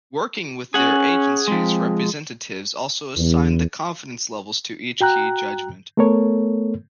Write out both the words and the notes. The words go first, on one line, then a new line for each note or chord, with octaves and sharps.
Working with their agencies, representatives also assign the confidence levels to each key judgment.
C#4 G#4 F#5
F3 G#3 C4
E2
F#4 G5 A#5 F#6
A3 B3 A4 A#4 C#5